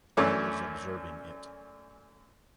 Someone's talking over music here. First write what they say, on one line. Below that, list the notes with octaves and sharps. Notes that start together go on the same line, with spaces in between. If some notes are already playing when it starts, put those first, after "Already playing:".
I was observing it.
F#2 E3 A3 D4 C#5 D6